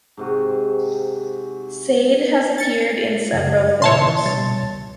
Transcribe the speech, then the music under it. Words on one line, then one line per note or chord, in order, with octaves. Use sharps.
Sade has appeared in several films.
G#2 C3 F#4
A6 C#7
F#2 C#3 G#6
A#2 C#3 C#5 A5 C6
B2 G3 A6
C#2